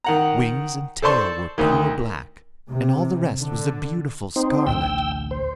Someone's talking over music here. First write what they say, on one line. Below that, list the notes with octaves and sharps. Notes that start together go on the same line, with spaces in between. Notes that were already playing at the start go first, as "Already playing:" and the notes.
Wings and tail were pure black and all the rest was a beautiful scarlet.
D#3 F#5 A#5
A4 C5 D5 A5 C6 C#6
D2 D#3
C3
D3
C4 D#4 C5
A1 D2 G5 E6
C5